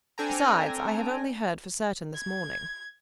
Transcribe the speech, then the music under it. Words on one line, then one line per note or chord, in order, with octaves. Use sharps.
"Besides, I have only heard for certain this morning."
C4 D4 A4 G5 G#5 A#5
G#6